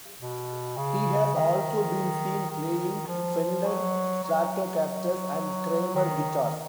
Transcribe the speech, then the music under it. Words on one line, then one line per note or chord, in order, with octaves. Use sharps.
He has also been seen playing Fender Stratocasters and Kramer guitars.
B2
C#3
D#3
D#3
F3
F#3
F#3
D#3
D#3